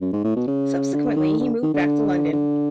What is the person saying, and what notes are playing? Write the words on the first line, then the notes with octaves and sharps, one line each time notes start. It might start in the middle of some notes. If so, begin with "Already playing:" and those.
Subsequently, he moved back to London.
F#2
G#2
A2
B2
C#3
D3
D#3
D3
D#3
D3
D3